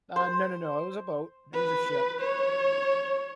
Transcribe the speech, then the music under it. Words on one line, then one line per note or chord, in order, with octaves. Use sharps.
Uh, no, no, no, it was a boat, it was a ship.
C5
B4
C#5